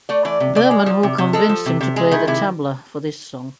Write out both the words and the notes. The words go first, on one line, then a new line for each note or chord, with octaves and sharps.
Burman who convinced him to play the tabla for this song.
A3 D5
E3 D5
C3
C3 D5
G#3
F3
C3
C3
G#3 A4
F3
C3
C3
G#3 G#4
D#3 E4
C3 E4